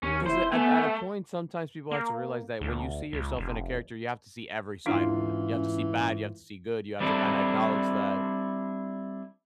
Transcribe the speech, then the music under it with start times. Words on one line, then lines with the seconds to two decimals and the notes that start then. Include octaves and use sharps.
'cause at at a point, sometimes people have to realize that when you see yourself in a character, you have to see every side of it. You have to see bad; you have to see good; you have to kinda acknowledge that
0.03 D#2 C#4
0.26 F1 E4 C5
0.52 A3 B3 G#5
1.91 A#3
2.61 D2
3.13 C#2
3.37 F1
4.86 G#2 E3 C#4 D4 E4 F4 F5
7.00 G3 C4 D4 E4 A4